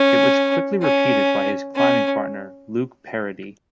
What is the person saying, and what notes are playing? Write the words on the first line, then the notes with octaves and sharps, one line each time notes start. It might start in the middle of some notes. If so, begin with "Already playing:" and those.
It was quickly repeated by his climbing partner Luke Parady.
Already playing: C#4
C#4
C#4